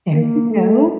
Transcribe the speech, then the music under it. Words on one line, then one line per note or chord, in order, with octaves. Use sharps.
There you go.
A#3
A3